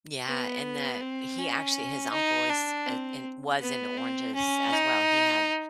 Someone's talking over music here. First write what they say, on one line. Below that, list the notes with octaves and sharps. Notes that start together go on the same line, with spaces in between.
Yeah, and that he actually his uncle is i in was into oranges as well. He had
B3
C4
C#4
D#4
D4
C4
B3
C4
C#4
D#4